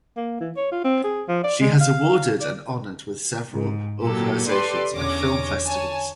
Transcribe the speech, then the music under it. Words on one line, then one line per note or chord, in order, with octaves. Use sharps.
She has awarded and honored with several organizations and film festivals.
A#3
E3
C#5
F4
C4
G#4
F3
D5
G#3
F5
D5
G#2
A#2 F#3 A#3 G4 A4
G4 A4 B4 D5 C6
E2 D3 C#4 C#5 D6 A#6
C#5 G#5 A5